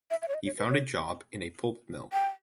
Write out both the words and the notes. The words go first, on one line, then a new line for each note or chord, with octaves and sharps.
He found a job in a pulp mill.
E5
E5
C#5
D#5
C#5
B4
C#5
G5